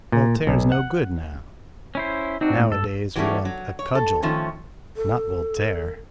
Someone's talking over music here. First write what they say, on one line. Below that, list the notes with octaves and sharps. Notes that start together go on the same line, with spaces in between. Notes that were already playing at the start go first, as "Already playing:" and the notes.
Voltaire's no good now; nowadays we want a cudgel, not Voltaire.
A#2
B1
F#5
C#4 E4 C5
C4 D4 D#4 F#4
A2
G2 A4
E3 F#3 G3 A3 C#4
F#3
C#5
A4
D#3 F3 A3 C#4
A4